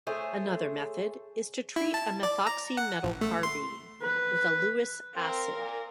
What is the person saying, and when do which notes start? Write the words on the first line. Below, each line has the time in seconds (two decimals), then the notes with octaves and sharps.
Another method is to treat a methoxy metal carbene with a Lewis acid.
0.07 A3 G#4 C5 C#5
1.76 E4
1.94 A5
2.23 D5
2.47 A#5
2.77 F#5
3.03 A1
3.21 A3
3.43 C6
4.02 B4
5.16 C4 A#4 F5
5.57 A#2